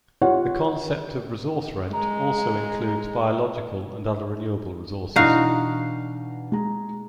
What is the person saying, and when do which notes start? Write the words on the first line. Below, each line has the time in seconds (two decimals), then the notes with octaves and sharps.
The concept of resource rent also includes biological and other renewable resources.
0.22 F4 G4 C#5 F#5
1.93 G#3 A#5
5.16 B2 E3 D4 D#4 F#4 F5
6.52 G#3 A#5